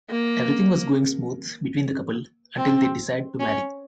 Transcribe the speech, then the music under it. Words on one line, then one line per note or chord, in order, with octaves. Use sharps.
Everything was going smooth between the couple until they decide to marry.
A#3
C4
C#4